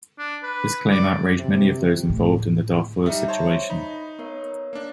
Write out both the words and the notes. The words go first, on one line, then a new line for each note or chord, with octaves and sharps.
This claim outraged many of those involved in the Darfur situation.
D4
B4
D5
C3
A2 D3
G3 D#4 E5 A#5
C5 C#5 A5
D#4 B5
B3 A#4 C#5
A#3 D4